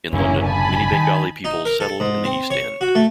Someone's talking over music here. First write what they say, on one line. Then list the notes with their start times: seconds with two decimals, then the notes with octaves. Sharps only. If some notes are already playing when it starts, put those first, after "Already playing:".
In London, many Bengali people settled in the East End.
0.13 F#1 F#2 D3 A#3 C#4 E4
0.45 G#5 A5 B5
0.92 D#3
1.45 D#4
1.65 A#4
1.80 A4
2.00 G#2
2.25 C4
2.51 C#5
2.81 F#4
2.95 A3